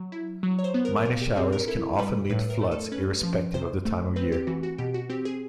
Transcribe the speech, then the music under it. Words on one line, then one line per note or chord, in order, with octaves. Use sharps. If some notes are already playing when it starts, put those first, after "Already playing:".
Minor showers can often lead to floods, irrespective of the time of year.
Already playing: F#3
E4
F#3
C#5
C5
B3
A#4
A#2 A#4
G4
C4 G#4
A#4
E4 A4
G3 B4
A2 B4
A#4
A3
A4
C#4 B4
F3
C3 C5
A3
C4 B4
G4
E3 F#4
F#4
B2 G4
F#4
C4 G4
G#4